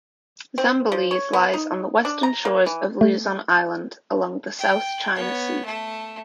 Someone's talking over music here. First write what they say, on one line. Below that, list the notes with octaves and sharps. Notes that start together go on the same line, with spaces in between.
Zambales lies on the western shores of Luzon island along the South China Sea.
C4
F3
C#5
B3
D#4
D4
A#5
A#3
E3
A3
G5
B3 C#5
A3 A4